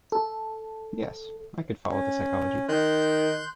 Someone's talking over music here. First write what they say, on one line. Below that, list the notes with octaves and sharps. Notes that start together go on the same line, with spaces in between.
Yes, I could follow the psychology.
A4
C#4
D#3 C6 F#6 G6